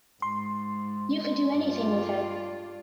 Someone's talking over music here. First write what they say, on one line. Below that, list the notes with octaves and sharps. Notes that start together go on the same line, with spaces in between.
You could do anything with her.
G#2 C6
G2 F4 D5